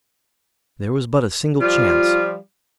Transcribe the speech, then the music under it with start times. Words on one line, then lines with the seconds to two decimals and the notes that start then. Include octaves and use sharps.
There was but a single chance.
1.60 F3 G3 F4